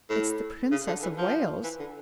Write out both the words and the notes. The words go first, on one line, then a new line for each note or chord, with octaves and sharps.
"It's the Princess of Wales."
A2
C#3
D3
E3
F3
E3
D3